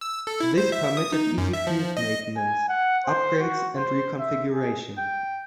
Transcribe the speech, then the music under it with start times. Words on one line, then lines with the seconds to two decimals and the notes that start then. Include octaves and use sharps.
This permitted easy field maintenance, upgrades, and reconfiguration.
0.01 E6
0.27 A4
0.40 E4
0.57 C5
0.72 E5
0.97 D#6
1.12 D#4
1.38 F#2
1.53 E5
1.67 F3
1.97 D#5
2.37 G#5
2.68 F#5
3.06 C5
3.40 F#4
3.76 C5
4.19 E5
4.53 G#4
4.97 G5